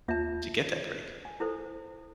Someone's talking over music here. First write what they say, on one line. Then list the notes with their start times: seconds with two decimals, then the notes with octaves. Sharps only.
to get that break?
0.08 D#2 F4 C#5 E5 A5
1.25 G#5
1.40 E4 A4 C5